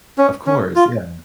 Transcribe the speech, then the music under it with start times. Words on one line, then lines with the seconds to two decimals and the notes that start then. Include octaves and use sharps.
Of course, yeah.
0.18 C#4
0.46 C#4
0.75 F4